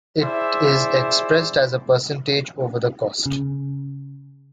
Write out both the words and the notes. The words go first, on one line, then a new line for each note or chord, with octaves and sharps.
It is expressed as a percentage over the cost.
E4 G#4 C5 D5 E5
C#3